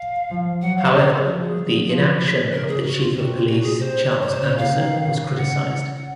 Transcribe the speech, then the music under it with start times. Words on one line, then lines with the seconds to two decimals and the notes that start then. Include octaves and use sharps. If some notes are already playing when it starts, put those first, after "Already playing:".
However the inaction of the Chief of Police Charles Anderson was criticised.
Already playing: F5
0.30 F3
0.62 F#3 F#5
0.78 F5
0.93 D#5
1.04 A#4
1.15 G#4
1.25 F3 F#4
1.41 G#4
1.57 F#3
1.88 F3
2.30 C#5
2.51 C#3 A#4
2.68 G#4
2.84 F#4
3.00 F4
3.16 C3 F#4
3.36 F4
3.47 A#2 F#4
3.63 G#4
3.78 C3 C5
4.10 C#5
4.21 C#5
4.31 C5
4.42 C#3 C#5
4.58 F5
4.74 D#3
5.06 C#3
5.37 C#3 F#5
5.96 F#5